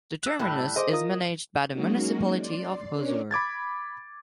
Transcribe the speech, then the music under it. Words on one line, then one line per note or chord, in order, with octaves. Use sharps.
The terminus is managed by the municipality of Hosur.
E6 F#6
A2 G3
G#4 C5 D#5 D6
F4 A#4 D#6
F#3 G#3 A#3 C#4 D#4 F#4
D5 C6
C#4 D4 A#4 C#5 D5
B5 D6 G#6 A6